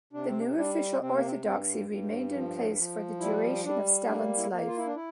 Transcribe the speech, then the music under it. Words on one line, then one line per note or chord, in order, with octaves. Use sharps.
This new official orthodoxy remained in place for the duration of Stalin's life.
C3 D4
C4
D4
G3 D4
C3 C4
A#3
C4
G2 C4
G2
F3
F3
G3 E4
G3 D4
A#3 D4
E4
A#3
F4
E4
D4
E4